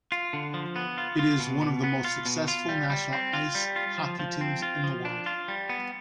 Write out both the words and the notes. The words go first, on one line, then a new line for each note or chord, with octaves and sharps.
It is one of the most successful national ice hockey teams in the world.
F4
D3
F3
B3
F4
F4
B2
B2
B3
F4
B2
F4
G3
G3
C4
F4
G3
F4
F3
F3
C4
F4
F3
D4
F4
G3
B3